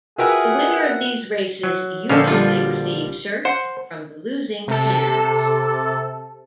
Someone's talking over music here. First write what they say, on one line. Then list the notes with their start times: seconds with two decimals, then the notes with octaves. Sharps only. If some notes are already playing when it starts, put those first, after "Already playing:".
The winner of these races usually receive shirts from the losing teams.
0.18 F4 F#4 G#4 A#4 B4 E5 F#5 G5
1.63 F#3
2.09 A#1 D3 C#4 A4 C5 F5
2.27 F3 G3 F4
3.45 C5 F#5
4.68 C3 A4